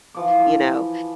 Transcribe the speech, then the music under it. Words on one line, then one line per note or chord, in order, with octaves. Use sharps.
you know?
E3 F3 D6